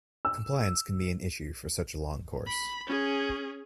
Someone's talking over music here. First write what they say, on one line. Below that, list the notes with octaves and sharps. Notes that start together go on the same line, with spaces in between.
Compliance can be an issue for such a long course.
E6
B5
C#4 G#4